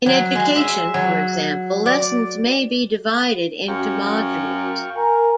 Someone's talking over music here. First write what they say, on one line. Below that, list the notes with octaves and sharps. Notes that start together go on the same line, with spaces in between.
In education, for example, lessons may be divided into modules.
F#3
G#3
E5
F#3
D5
F#2 F#4 F5 G5 C#6
A#4 G#5 A#5